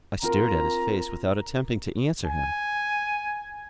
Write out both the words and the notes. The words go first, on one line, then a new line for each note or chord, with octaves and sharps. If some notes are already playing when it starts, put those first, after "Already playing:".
I stared at his face without attempting to answer him.
C4 F4 A#4 A#5
G#5